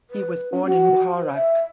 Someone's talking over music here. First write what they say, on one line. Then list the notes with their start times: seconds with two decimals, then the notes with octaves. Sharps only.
He was born in Muharraq.
0.10 B4
0.52 C#4
0.65 F#4
1.18 C5
1.33 E5